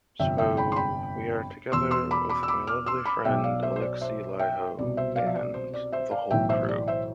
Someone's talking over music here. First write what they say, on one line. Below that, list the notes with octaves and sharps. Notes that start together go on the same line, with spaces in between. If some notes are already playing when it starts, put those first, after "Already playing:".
So we are together with my lovely friend Alexi Laiho and the whole crew.
G1 F2 C3 F3 E5 G5
E5 G5
G5 B5
C6
G5 B5
E2 B2 C6 E6
C6 E6
B5 D6
B5 D6
E6
B5 D6
D6 F6
C6 E6
B5 D6
B1 B2 E5 G5
D5 F5
C5 E5
C5
D5
C5 E5
E5 G5
C2 B2 D5
C5 E5
D5 F5
E5
D5
C5
D5
C5 E5
D5 F5
B1 A2 E3 E5 G5
C5 E5
D5
C5 E5